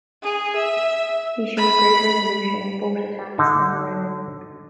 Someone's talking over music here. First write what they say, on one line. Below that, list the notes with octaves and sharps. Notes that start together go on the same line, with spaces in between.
He showed great resolution at both attacks on the Redan.
G#4
E5
B5
D3 D#4